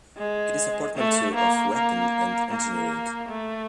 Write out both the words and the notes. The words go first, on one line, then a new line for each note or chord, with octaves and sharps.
It is a portmanteau of "weapon" and "engineering".
G#3
A3
A#3
A#3
A#3
A3